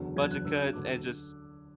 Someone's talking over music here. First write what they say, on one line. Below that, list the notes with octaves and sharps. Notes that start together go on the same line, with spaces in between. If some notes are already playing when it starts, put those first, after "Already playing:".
Budget cuts, and just
Already playing: F#1 E2 D3 F#3
F#1 E2 D3 F#3 G#6
F#6
D2 D3 F#3 E6
D2 D3 F#3 D6
D3